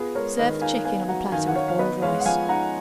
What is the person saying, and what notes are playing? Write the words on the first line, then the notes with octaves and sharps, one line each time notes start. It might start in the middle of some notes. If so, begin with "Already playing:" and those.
Serve the chicken on a platter with boiled rice.
Already playing: B3 F4 G#4
G#3 A#4 C#5
D#3 B4 D#5
D#4 F5 G#5
B3 F5 G#5
F#3 F#5 A#5
D#3 F5 G#5
F#5
D#3 C#5 F5
F5
B3 B4 D#5
G#3 C#5 F5
F#5
F3 F5 G#5
D#4 F#5 A#5